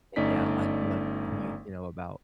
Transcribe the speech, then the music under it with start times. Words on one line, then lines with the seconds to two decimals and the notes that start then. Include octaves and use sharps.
And yeah, I do like the point, you know, about,
0.16 G1 A3 C#4 D#4 D5 B6